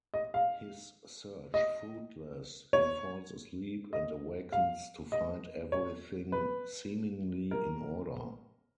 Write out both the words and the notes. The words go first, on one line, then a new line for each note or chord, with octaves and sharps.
His search fruitless, he falls asleep and awakens to find everything seemingly in order.
D#5
F5
D#5
C#5
D#5
F5
D#5
C#5
B4
A#4